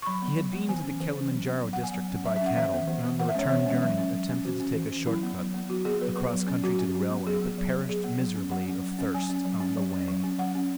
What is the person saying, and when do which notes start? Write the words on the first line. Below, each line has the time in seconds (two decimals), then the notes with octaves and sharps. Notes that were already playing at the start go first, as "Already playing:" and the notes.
He had been to the Kilima N'jaro district to buy cattle, and on the return journey attempted to take a short cut across country to the railway, but perished miserably of thirst on the way.
0.02 C#6
0.06 F#3 B5
0.22 B3
0.37 F#3
0.53 B3
0.68 E3 G#5
0.84 C#4
1.00 E3
1.16 C#4
1.31 F#3
1.47 B3
1.63 F#3
1.73 F#5
1.78 B3
1.83 G#5
1.94 F#3
2.10 C#4
2.26 F#3 E5
2.36 E5
2.41 C#4 F#5
2.57 E3 E5
2.72 B3
2.87 E3
3.04 B3
3.19 E3 F#5
3.29 E5
3.35 G#3 C#4 C#5
3.49 E3 E5
3.66 G#3 C#4
3.81 F#3 E5
3.98 C#4
4.13 F#3
4.29 C#4
4.45 E3 F#4
4.60 C#4
4.76 E3
4.92 C#4
5.07 F#3 E4
5.23 B3
5.39 F#3
5.54 B3
5.69 F#3 F#4
5.85 B3 G#4
6.01 F#3 B4
6.16 B3
6.33 F#3
6.48 C#4
6.64 F#3 F#4
6.79 C#4
6.95 F#3
7.10 B3
7.26 F#3 G#4
7.42 B3
7.58 F#3
7.73 B3
7.89 F#3 G#4
8.04 B3
8.20 F#3
8.35 C#4
8.51 F#3 F#5
8.68 C#4
8.83 F#3
8.99 C#4
9.14 F#3 G#5
9.29 C#4
9.45 F#3
9.60 C#4
9.77 F#3
9.92 C#4
10.08 F#3
10.24 C#4
10.39 F#3 F#5
10.55 C#4